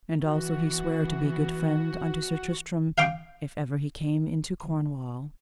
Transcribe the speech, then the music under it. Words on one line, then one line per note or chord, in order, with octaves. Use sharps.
And also he sware to be good friend unto Sir Tristram if ever he came into Cornwall.
E3 B3 F#4
F5 G5 D6